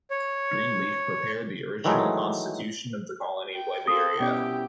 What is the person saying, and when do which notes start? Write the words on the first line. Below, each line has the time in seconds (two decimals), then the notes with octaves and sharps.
Greenleaf prepared the original constitution of the Colony of Liberia.
0.11 C#5
1.85 D#3 E3 F#3 G#3 A3 D#4
3.55 G5
3.88 C4 F4 A4 D#6
4.19 C2 B2 B3 C#4 E4 G4 G5